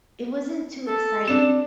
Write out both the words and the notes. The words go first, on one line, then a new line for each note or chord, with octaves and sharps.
it wasn't too exciting.
A4
C4 D4 E7